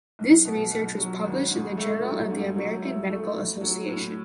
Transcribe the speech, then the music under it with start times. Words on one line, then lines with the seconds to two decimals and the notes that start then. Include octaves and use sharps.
This research was published in the Journal of the American Medical Association.
0.19 B1
0.45 B2
0.72 B1
0.98 F#3
1.24 G#1
1.51 G#2
1.77 A3
2.03 F#3
2.30 G#2
2.56 F#3
2.82 E4
3.09 A3
3.35 A2
3.61 F#3
3.88 A2